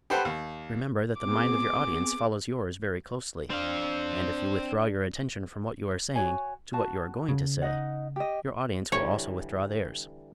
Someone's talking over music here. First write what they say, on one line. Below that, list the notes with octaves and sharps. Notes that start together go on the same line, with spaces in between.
Remember that the mind of your audience follows yours very closely, and if you withdraw your attention from what you are saying to what you are going to say, your audience will also withdraw theirs.
G4 A4 B4 C5 F#5 G5
D#2
B3 C4 G#4 D6
C4 D4 F5
F#4 C#5 G#5
F#4 A5
C#3
D#4 D#5 F#5
G4 D#5
D3 E3 G3 C#5